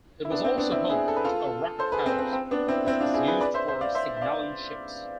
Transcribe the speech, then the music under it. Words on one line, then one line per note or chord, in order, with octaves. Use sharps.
It was also home to a "Rocket House" which was used for signalling ships.
E4
B3 D4
C4
B3 D4
C4 E4
E4 G#4
A4
B4
F4 A4
A4 C5
G#4 B4
C4
C4
C4
B3 D4
C4 E4
C4 E4
D4 F4
E4 G#4
G#4 B4
B4 D5
C5 E5
C5 E5
D5 F5
C5 E5
E5
D5 F5